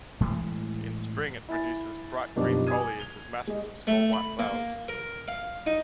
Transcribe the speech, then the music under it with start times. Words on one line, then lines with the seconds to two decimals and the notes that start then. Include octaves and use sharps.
In spring, it produces bright green foliage with masses of small white flowers.
0.20 A2 E3 G#3 A3
1.49 E4 G#5 A6
2.36 F#2 B2 F3 G3 D4 D#4
2.67 G#5 D6 D#6 G#6 D#7
2.99 F7 G7
3.47 G#3 D#5
3.87 A3
4.13 B5
4.39 A#3
4.88 A#4
5.28 F5
5.66 D#4